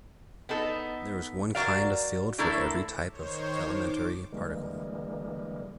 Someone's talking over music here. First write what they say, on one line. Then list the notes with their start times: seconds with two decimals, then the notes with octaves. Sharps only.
There is one kind of field for every type of elementary particle.
0.49 B3 D#4 A4
1.55 F#3 A#4 D5 F5
2.38 D3 A3 E4 A4 A#4 A#5
3.09 D#3 C5 C#5
3.67 D#4 D6
4.32 D3 E3 G3 G#3 A#3